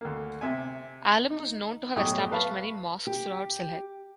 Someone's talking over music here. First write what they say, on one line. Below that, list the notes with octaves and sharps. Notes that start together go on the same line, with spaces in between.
Alam was known to have established many mosques throughout Sylhet.
D2 A#3
C3 E5 G#5
D#4
B1 F#2 A2 G4 C#6 D#6
B4 F5 A5 B5 C#6
G4